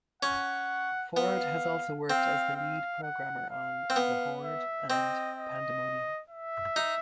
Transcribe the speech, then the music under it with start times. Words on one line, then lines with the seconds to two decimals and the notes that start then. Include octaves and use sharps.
Ford has also worked as the lead programmer on "The Horde" and "Pandemonium".
0.23 C#4 F#5
1.16 B3 F5
2.09 C4 F5
2.56 F5
3.03 F#5
3.50 F5
3.90 C4
3.96 B3
4.43 E5
4.90 C4 D#5
5.37 D#5
6.30 E5
6.76 D#4